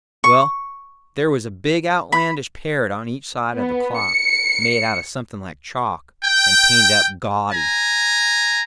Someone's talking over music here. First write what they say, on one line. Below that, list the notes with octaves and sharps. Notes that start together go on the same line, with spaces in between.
Well, there was a big outlandish parrot on each side of the clock, made out of something like chalk, and painted up gaudy.
C#6
B5
B3
C#7
G5
G#5 A#5